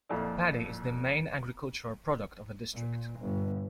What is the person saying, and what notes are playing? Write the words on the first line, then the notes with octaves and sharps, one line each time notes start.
Paddy is the main agricultural product of the district.
F2 A#2 E4 A4 D5
A#2
G1